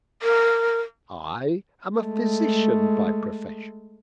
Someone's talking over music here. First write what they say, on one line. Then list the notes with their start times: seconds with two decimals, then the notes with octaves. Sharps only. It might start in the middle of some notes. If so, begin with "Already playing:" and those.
I am a Physician by Profession.
0.22 A#4
1.99 G#3 A3